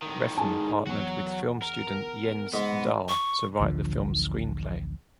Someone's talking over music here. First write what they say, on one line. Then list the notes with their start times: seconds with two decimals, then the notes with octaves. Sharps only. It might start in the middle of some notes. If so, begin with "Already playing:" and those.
Refn partnered with film student Jens Dahl to write the film's screenplay.
0.02 A2 D#3
0.37 G#3 D#4 G#4 G#5 A5
0.87 E2 F#3 F#4 F#5
1.62 A#4
2.54 G#2 G#3 B3
3.09 C#6
3.60 A1 D2 D3 F3